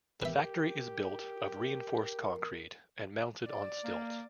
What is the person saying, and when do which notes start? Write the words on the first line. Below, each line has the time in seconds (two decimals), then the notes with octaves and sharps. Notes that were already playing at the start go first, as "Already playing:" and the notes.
The factory is built of reinforced concrete and mounted on stilts.
0.22 G4 A#4 B4 E5
3.47 D5
3.84 A#3